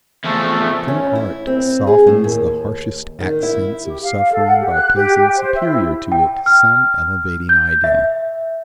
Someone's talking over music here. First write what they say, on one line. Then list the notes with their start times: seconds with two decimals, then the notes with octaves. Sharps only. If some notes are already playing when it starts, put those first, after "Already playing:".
True art softens the harshest accents of suffering by placing superior to it some elevating idea.
0.25 E2 F3 A3
0.88 C#4
1.15 E4
1.47 C4
1.87 G#4
2.07 A2
2.24 D#2
3.20 D#3
3.43 E4
3.84 G4
4.03 F5
4.32 A4
4.46 F#5
4.61 G4
4.73 F#6
4.95 G4
5.19 G5
5.36 C5
5.54 E5
5.67 E4
6.12 G5
6.46 F6
7.49 G6
7.84 E5